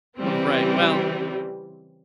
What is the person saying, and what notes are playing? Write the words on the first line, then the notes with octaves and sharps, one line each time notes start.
Right, well
C#3 E3 G3 C4